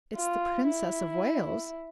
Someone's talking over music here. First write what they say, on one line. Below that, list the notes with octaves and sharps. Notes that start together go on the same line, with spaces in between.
"It's the Princess of Wales."
F4
E4